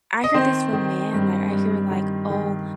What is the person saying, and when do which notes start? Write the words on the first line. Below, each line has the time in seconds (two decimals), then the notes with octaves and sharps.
I hear this from men, like, I hear, like, "Oh,
0.24 D#5
0.34 D#3 C4 C5
0.73 D#3
1.13 G2
1.52 G2
1.91 D#3
2.30 D#3